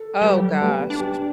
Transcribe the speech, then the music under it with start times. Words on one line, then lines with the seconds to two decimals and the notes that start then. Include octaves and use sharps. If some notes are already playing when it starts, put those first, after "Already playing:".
Oh, gosh.
Already playing: A4
0.22 G3 G4 B4
0.34 F#3
0.48 G3
0.61 A3 G4 B4
0.71 B3
0.90 D4
0.99 G4 B4